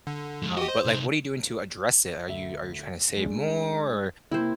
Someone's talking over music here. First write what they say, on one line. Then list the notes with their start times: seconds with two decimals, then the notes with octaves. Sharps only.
um but, like, what are you doing to address it? Are you are you trying to save more, or
0.07 D3
0.42 F3 G#3
0.57 F#4 G4 D#5
0.68 C5
0.85 C3 D#4
2.28 D2 E5
3.17 G#3 A3 D4
4.31 C3 A#3 E4 C5